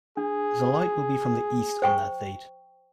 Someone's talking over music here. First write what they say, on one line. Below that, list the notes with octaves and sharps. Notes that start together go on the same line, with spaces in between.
The light will be from the East on that date.
D4 G#4
C5 G5 C#6